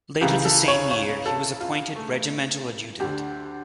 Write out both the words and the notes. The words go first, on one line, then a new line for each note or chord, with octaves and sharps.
Later the same year he was appointed regimental adjutant.
C#2 C#3 E3 G4
A4
C#5
C#5
A4
F4
A3
D2 D3 G4